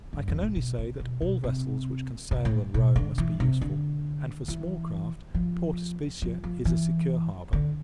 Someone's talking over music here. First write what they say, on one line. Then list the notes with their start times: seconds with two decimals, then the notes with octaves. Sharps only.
I can only say, that all vessels which can sail and row must be useful; and, for small craft, Port Especia is a secure harbour.
0.13 G2
0.28 F2
0.42 A2
0.56 B2
0.78 C3
1.00 B2
1.21 B2
1.44 C3
2.31 C3
2.45 A2
2.74 B2
2.96 D3
3.18 E3
3.40 C3
3.61 D3
4.48 E3
5.34 F3
6.22 F3
6.44 F3
6.65 E3
7.53 D3